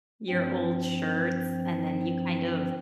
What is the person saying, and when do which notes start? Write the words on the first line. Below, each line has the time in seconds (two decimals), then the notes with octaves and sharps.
your old shirts, and then you, kind of,
0.29 G2 F3 C4